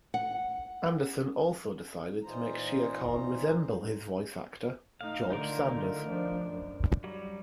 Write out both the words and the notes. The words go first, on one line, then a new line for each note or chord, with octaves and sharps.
Anderson also decided to make Shere Khan resemble his voice actor, George Sanders.
F#5
A#2 E3 D#4 F4 C5 A#5
A3 D#4 F5
D3 A3 D#4 F4 A#4
F3 D4
F#2
F#3 G3